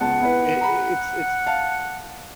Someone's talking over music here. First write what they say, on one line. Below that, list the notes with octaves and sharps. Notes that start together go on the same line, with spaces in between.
it's it's
C#2 B3 F#5 A5
B3 E4 B4
A#5 B5
F5 A5